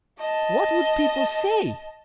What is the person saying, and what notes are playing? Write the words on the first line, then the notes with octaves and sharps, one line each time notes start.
What would people say?
D#5 A5